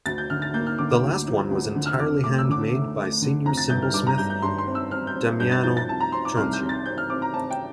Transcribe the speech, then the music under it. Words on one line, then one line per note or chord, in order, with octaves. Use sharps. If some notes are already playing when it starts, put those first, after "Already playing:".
The last one was entirely hand made by senior cymbal-smith Damiano Tronci.
D2 A6
G6
D3 F6
A6
A#3 G6
F6
D3 D6
D6
D2
F3
D2
D3
F6
E6
F2 D6
A3 D6
E6
D3 D6
A3
A3
D3
F2 A#5
A6
G1 G6
F6
G2 D6
A#5
G2 G6
G6
G2 C6
C6
C4
E6
C4 F6
G6
C4
G2 G6
A6
F3 G6
A6
C2 A5
A#5
C4 C6
D6
C2 F6
G6
C3
A6
C4 G6
F6
C4 D6
A#5
C4 A5
G5